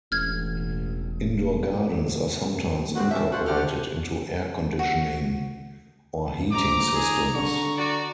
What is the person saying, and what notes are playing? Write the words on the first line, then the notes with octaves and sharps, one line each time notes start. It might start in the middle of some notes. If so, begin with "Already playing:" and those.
Indoor gardens are sometimes incorporated into air conditioning or heating systems.
E1 A1 F6 G#6
A2
D3 B3 C4 F#4
C#4 D4 E5
F4 F#4 C5 F#5
D3 G4 A4 F#5 F6
F#4
A#1 A#5 D6
D#2 G#4
D3 C#6
F#4 D5